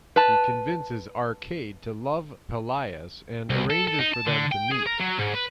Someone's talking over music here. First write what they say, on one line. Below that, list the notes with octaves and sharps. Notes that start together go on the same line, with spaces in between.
He convinces Arcade to love Pellias and arranges for them to meet.
B4 A5
C2
A4
A4
D#4
A5
D3
G5
G#4
A#4
F#3
G#2
B4